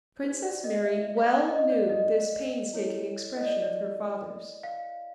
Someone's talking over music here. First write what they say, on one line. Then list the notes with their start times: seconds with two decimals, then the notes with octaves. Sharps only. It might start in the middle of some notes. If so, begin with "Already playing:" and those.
Princess Mary well knew this painstaking expression of her father's.
0.22 D#4 G4 C5
0.43 D5
0.64 D#5
0.85 E5
1.17 F5
1.48 D#5
1.70 D5
1.89 D#5
2.73 E4 A4 C#5
3.37 D#5
3.46 D5
3.62 D5
4.63 F5